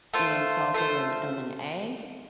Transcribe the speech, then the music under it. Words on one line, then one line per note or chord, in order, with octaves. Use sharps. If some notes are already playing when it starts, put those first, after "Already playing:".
And so I'll give m him an egg
A3 F4 C5
A3 F4 C5